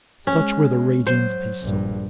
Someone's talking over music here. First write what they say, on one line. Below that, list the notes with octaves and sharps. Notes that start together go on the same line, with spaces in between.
Such were the ragings of his soul.
G#3 C#4
F#3 C5
A#1 G2